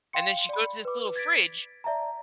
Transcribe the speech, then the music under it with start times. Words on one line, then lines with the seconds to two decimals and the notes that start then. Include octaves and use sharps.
And then she goes to this little fridge,
0.13 F5 G5 C6 C#7
0.49 D5 B5
0.85 B4 D6
1.16 G#6 A6 B6 D7
1.84 D5 E5 A5 A#5